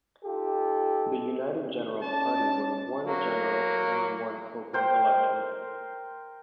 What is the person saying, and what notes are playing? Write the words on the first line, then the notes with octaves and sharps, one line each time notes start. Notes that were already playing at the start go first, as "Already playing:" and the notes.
The United General Party won one "general" and one open electorate.
D#4 F4 G4 A4
C#4 D5 A5
F#3 A#3
A#4 C5 G5